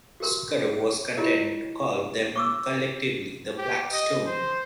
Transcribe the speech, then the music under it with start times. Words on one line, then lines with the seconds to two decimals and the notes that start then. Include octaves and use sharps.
Scudder was content to call them collectively the “Black Stone”.
0.20 F#4 G4 A#4 C6
1.17 E4 F4 G4 A#4 C#5 D#5
2.36 C#6 D6 E6
3.58 G4
3.92 D#5
4.26 C5